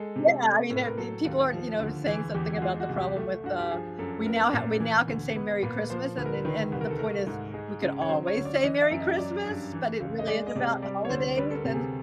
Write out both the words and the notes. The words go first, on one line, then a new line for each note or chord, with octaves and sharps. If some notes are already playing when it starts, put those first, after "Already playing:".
yeah, you know, there people aren't, you know, saying something about the problem with, uh we now ha we now can say, "Merry Christmas," and and and the point is we could always say, "Merry Christmas," but it really is about holidays, and
Already playing: G#3 A4
C3
A3
A2
B4
A#4
F#3 A4
D#2
F3
D2
E3 G#4
E2 G4
F#4
G#3 F4
F#4
C2
G4
A3
G2 F#4
G4
F3 G#4
F#2 A4
A4
B3 A#4
A#2
E3
D2
B3 B4
A#2 B4
F3 C5
D2 B4
A#4
B4
D#3 B4
C2 B4
A#4
A4
A3 A#4
G#2
G#3
C#3
C#5
F#3 C5
C#5
D2
D5
E3 D#5
E5
F#2
D#5
F#3 D5
G2
E3
C#2
D#5
G#3 D5
D#5
C3 D5
G3 D5
C#5
D2 C5
G3 B4
A4
A#4
C3
G#4